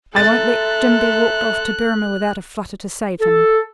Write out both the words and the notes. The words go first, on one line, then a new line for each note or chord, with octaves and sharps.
I won't let Jim be walked off to Berrima without a flutter to save him.
A4 E5 A#5 C6 F#6 A6
A4